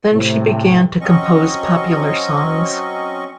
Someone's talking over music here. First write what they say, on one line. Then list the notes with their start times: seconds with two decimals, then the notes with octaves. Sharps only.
Then she began to compose popular songs.
0.12 A2 C3
1.01 F#3 C4 C#4 D#5 C#6